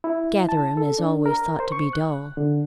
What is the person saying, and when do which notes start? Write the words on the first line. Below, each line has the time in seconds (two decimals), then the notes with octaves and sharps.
"Gatherum is always thought to be dull."
0.04 E4
0.49 A5
0.77 A4
0.98 D4
1.26 A#4
1.60 C5
1.72 C#6
1.93 F#6
2.37 D3